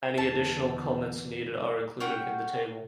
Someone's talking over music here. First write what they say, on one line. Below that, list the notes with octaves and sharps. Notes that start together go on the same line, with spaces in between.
Any additional comments needed are included in the table.
E2 D3 A5
C#4 F#5 G5